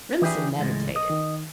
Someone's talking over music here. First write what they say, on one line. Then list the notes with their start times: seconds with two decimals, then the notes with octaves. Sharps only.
Remsen meditated.
0.22 E3 D4 E4 G4 G#4
0.58 C#2 A2 G#3
0.96 D#5
1.10 D#3